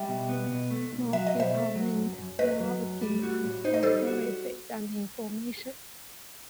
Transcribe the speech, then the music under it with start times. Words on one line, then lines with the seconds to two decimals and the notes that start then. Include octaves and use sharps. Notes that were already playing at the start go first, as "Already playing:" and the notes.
More people meant more demand for services and information.
Already playing: G3 E5 G5
0.08 B2
0.29 B3
0.50 B2
0.71 A3
0.91 B1
1.13 F#3 E5
1.27 D#5
1.35 B2
1.40 C5 E5
1.54 A3
1.75 F#3
1.98 F#2
2.18 F#2
2.39 A3 B4 D#5
2.60 F#3
2.82 F#2
3.02 G3
3.23 F#4
3.44 A2
3.64 D#4 C5
3.74 D#5
3.83 G3 A4 C5
4.07 F#4